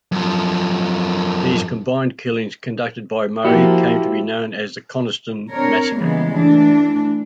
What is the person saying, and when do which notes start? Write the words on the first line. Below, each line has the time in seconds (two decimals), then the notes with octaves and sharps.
These combined killings conducted by Murray came to be known as the Coniston massacre.
0.12 F#2 F3
3.44 F3 A#3 E4 F#4 G4
5.49 C4 D4 A#4 C#5
5.96 C#3 E3 G3 G#3 A#3 B3
6.33 E3 A3 D4